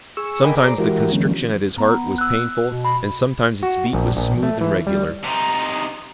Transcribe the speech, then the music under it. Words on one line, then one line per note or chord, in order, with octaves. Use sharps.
Sometimes the constriction at his heart was painful, and sometimes its beat was smooth and regular.
G#4 C#6 E6
A#4 D#5 G5 G#5 B5 D6
G#4 C5 D5 A#5 D6
E3 G#3 E4 F#4 G4 A#4
D3 E3 F#3 G#3 A#3 C#4
B3 A#5
E6 F#6
B2
B5
F#4
A#1
A#1
A3
E3
G3
C3 D#4